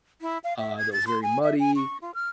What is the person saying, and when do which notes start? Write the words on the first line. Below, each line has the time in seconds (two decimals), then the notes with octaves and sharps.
uh, that was very muddy
0.21 E4
0.44 F5
0.59 E5
0.78 G#6
0.93 A6
1.07 C6
1.23 G#5
1.43 E5
1.60 G#5
1.76 C#6
2.02 F4
2.15 F6